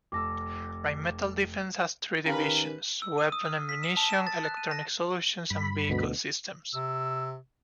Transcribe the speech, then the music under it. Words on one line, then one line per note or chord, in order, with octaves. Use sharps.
Rheinmetall Defence has three divisions: Weapon and Munition, Electronic Solutions, and Vehicle Systems.
F1 A5 D6 E6 A#6
D#3 C#4 G4 A#4 B4 F5 B5
E6
D#7
D#6
F6
B6
E7
A5
E7
A6
F#6
D#7
A#6
G2 B5
D2 B2
C3 E6